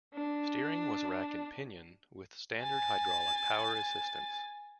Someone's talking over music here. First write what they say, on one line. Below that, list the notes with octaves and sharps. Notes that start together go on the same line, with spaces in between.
Steering was rack and pinion, with standard hydraulic power assistance.
D4
G#5 A6